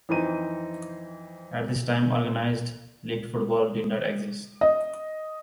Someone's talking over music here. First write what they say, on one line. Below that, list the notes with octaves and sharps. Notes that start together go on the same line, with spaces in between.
At this time organised League football did not exist.
F2 E3 C4 D#4 D#7
D#5